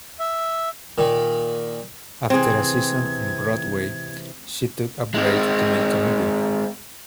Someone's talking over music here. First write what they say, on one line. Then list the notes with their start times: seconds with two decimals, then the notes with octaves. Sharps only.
After a season on Broadway, she took a break to make a movie.
0.19 E5
0.98 A#2 D#3
2.30 C3 E3 C4 G#4 G#6
5.15 G#3 C4